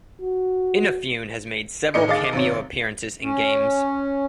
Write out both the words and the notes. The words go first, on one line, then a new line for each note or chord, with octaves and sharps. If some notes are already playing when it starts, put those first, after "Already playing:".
Inafune has made several cameo appearances in games.
F#4
A2 D#4 D5 D#5 C#7
D#2 G#4 D#5 F5 D6 A6
G#1 C3 C#5
C#4